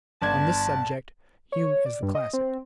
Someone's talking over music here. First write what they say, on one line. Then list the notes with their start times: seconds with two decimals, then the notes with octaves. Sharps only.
On this subject Hume is the classic.
0.22 G1 D5 A5 G#6
1.52 C#5
1.86 D5
2.03 G2
2.15 D#5
2.33 C4